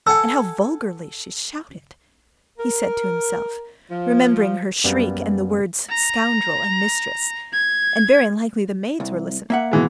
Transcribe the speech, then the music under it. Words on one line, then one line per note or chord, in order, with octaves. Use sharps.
And how vulgarly she shouted," he said to himself, remembering her shriek and the words--"scoundrel" and "mistress." "And very likely the maids were listening!
A4 F#5 G#5 E6
A#4
F3
F#2 G3 A#3 B3
A#5
G#6
C2
A#3 E5 F#5
B2 E3 G#3